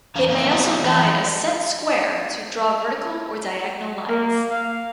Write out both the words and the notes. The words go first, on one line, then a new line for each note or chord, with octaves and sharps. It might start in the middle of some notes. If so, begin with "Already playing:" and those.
It may also guide a set square to draw vertical or diagonal lines.
E2 C#4 F5
A#3 B3 E4
C4 D#4 F4 F#4 G#4
F#3 B3 C4 F4
E3 A3 D#4 B4 G#5 A5
A#3
F5